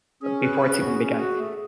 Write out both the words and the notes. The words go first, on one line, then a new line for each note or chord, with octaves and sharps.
before it's even begun.
C#4 G#4
B4
C#4
F#4
C#4
F#4
A3